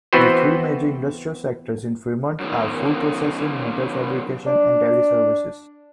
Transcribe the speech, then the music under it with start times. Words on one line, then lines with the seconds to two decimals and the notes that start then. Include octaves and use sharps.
The three major industrial sectors in Fremont are food processing, metal fabrication, and teleservices.
0.13 E3 B3 C4 F#4 B4 C5
2.40 F#2 D#3
4.46 D4